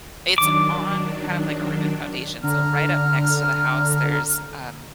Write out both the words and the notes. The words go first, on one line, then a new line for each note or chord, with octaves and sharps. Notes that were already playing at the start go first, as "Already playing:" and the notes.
it's on kind of, like, a ribbon foundation, so, right up next to the house, there's, um,
D#3 F#3 D4 D6
D3 A#5 F6